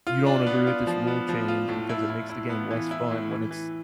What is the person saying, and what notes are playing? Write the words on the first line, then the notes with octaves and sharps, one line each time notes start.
you don't agree with this rule change because it makes the game less fun when it's
F4
D4
B3
F4
F3
B3
F3
F4
A2
E4
E4
E4
B3
E3
E4
A2
E3
E3